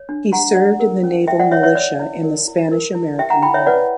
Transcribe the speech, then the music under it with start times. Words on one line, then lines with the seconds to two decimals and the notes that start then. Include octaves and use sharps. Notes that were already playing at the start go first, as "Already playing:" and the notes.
He served in the naval militia in the Spanish-American War.
Already playing: C#5
0.09 D4
0.32 G4 F#5 A#5
0.55 D4 D5 F#5
0.80 A#4
1.04 C#4
1.27 E4 E5 G5
1.40 D5 F#5
1.52 C#5 E5
1.63 C#5 E5
1.75 C#5 D5
2.00 E4
2.23 A#4
2.48 E4
2.71 A#4
2.95 E4
3.18 G4 E5 G5
3.30 F#5 A#5
3.42 E4 G5 B5
3.54 C#5 E5
3.67 B4 D5 F#5